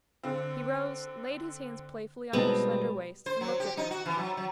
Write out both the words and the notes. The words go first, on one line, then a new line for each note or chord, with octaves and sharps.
He rose, laid his hands playfully on her slender waist, and looked at her.
D3 C4
B2 G3 G#3 B3 C4 D#4 A5
C5
F#3
G4
D#4
F#4
E3
F#3
F#3